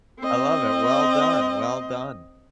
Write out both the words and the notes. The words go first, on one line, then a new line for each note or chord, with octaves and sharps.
I love it. Well done, well done.
C4 D#5